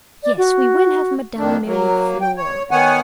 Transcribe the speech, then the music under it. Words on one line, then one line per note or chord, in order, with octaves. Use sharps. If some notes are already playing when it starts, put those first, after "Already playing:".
Yes, we will have Madame Mirliflore.
D5
F#4
F2 D#3 D4
F#3 A#3
G5
C#5
D#3 B3 C#5 F#5 G#5